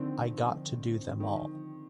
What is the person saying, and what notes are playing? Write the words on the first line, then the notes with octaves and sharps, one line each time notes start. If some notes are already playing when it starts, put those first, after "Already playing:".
I got to do them all.
Already playing: D3 D#3 F3 C4
D#3